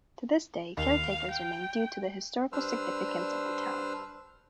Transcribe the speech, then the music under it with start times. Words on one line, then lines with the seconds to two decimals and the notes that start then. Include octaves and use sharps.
To this day, caretakers remain due to the historical significance of the town.
0.77 D#2 F5
1.31 G5
2.52 G3 D4 B4 C5 E6 F6